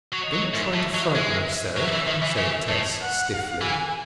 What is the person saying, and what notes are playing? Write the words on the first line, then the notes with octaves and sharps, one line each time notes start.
"Don't try to frighten me, sir," said Tess stiffly.
F#3
D#5
F#3
G#2 E5
A2
F#3
G#3
F#3 E5
E3
D#3
E3
C#3
A2
F#5
E3 G#5